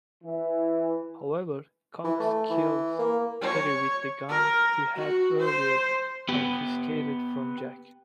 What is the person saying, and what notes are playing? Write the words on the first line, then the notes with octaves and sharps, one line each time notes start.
However, Cox kills Harry with the gun he had earlier confiscated from Jack.
E3
E3
A3
E3
A#3
C#5
A#4
F#4
C5
B3 G4 B4